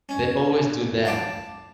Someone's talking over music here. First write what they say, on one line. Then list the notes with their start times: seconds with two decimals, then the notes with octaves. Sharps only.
They always do that.
0.09 C#4
1.05 F5 A5 D6